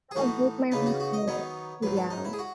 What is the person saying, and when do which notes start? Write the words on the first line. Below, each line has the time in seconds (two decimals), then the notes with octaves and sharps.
that would break my heart, yeah, um,
0.11 G#4
0.15 A2 E3 A3 D#4 F#4
0.72 C#3 E3 B3 D#4 B4
0.86 F#4
1.00 F#4
1.13 D#5
1.28 D#3 F#3 B3 D#4 C#5
1.83 G#2 D#3 F#3 B4
1.97 A4
2.10 D#4
2.25 E4
2.33 G#4
2.39 F#4